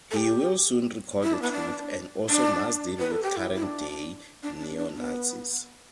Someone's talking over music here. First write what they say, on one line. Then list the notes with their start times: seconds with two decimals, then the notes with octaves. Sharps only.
He will soon recall the truth and also must deal with current-day Neo-Nazis.
0.11 A4
0.17 G4
1.23 E4
1.33 D4
1.42 B3
1.52 D4
2.29 D4
2.99 B4
3.12 A4
3.23 G4
3.37 E4
3.55 E4
3.63 D4
4.43 D4
4.60 D4
4.78 D4
4.95 B3